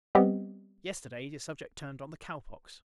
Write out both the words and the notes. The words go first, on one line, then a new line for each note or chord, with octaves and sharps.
Yesterday, the subject turned on the cow-pox.
G3 B3 C4 G4 D#5